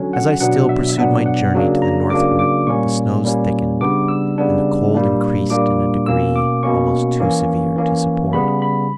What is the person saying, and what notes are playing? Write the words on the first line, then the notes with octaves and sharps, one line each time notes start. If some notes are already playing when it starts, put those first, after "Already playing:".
As I still pursued my journey to the northward, the snows thickened and the cold increased in a degree almost too severe to support.
Already playing: D3 F#3 C#4
F#5
B2 F#3 B3 D4 F#5
E5
E5
B2 F#3 B3 D4 F#5
F#5
C#3 F#3 A#3 D4
A#5
C#3 F#3 A#3 D4 D6
D6
A#2 G3 A#3 C#4 C#6
A#2 G3 A#3 C#4
C#3 G3 B3 D4 D6
E6
C#3 G3 B3 D4
A#2 G3 A#3 D4
A#2 G3 A#3 D4 D6
B2 A#3 C#4 E6
D6
B2 A#3 C#4 C#6
E3 A#3 C#4
E3 A#3 C#4
C#3 G3 B3 B5
B5